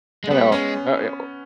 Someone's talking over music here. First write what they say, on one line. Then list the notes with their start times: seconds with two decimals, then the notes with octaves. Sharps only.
you know, uh yeah, well
0.24 G#3
0.30 G3 B3
0.52 G#3 C#4